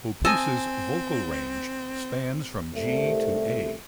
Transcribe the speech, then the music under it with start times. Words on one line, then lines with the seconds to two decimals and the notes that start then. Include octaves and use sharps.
Hoppus's vocal range spans from G to A.
0.25 C4 A4 D#5 G#5
2.74 C2 A3